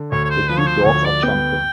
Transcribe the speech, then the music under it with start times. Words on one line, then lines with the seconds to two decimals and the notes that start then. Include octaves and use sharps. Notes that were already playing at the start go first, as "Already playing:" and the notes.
The two dogs are jumping.
Already playing: D3
0.12 D2 C#5
0.24 C#5
0.30 C5
0.49 F3 B4
0.59 C#5
0.67 C5
0.86 D2 C#5
1.04 D5
1.23 B3 G5